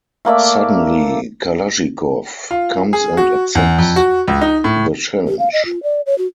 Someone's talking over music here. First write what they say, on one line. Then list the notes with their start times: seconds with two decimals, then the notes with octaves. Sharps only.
Suddenly, Kalashikov comes and accepts the challenge.
0.25 A3 A#3 D5 E5
2.51 F4
2.93 G#4
3.17 F#4
3.55 E2
3.78 F2
3.96 F#4
4.28 C#2
4.41 D#4
4.64 A2
5.28 G4
5.39 F5
5.53 D#5
5.65 F4
5.83 D5
6.06 C#5
6.18 F#4